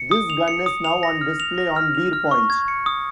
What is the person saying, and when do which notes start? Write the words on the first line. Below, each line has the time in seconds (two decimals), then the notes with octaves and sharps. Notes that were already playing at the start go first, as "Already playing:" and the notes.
This gun is now on display on Deer Point.
Already playing: C#7
0.11 D#6
0.30 F7
0.48 C#7
0.66 D#6
0.85 F7
1.03 A#6
1.21 F6
1.40 F7
1.58 A#6
1.76 F6
1.95 F7
2.13 F6
2.31 C#6
2.50 G#6
2.68 C#7
2.86 D#6